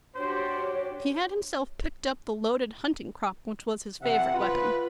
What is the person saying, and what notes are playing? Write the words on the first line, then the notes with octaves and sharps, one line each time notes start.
He had himself picked up the loaded hunting-crop, which was his favourite weapon.
D4 F#4 G4 C5 C#5
C3 E3 E5 F#5
F4 B4